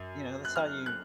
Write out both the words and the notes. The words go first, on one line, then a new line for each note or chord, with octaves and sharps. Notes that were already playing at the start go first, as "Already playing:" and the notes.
You know, that's how you
Already playing: F#2
F#6
F6
F#6